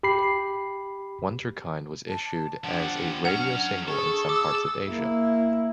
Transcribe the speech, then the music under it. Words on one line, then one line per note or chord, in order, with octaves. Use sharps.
"Wunderkind" was issued as a radio single in some parts of Asia.
G4 B5 C7
A5
F3 D4 G4 F#5
F#3 C#4 D4 F#5 F6
G#4 A4 C#6
D6 E6
A#3 E4